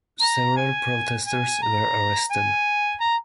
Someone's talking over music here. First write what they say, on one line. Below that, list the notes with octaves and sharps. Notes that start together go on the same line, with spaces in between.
Several protesters were arrested.
A#5
G#5
G#5
A#5
G#5
A#5